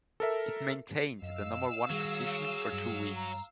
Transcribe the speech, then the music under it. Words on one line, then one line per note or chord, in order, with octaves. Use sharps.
It maintained the number one position for two weeks.
A4 A#4 E5
F#2 D#5 F5 E6
D#3 F#3 G3 G#4
G2
A#5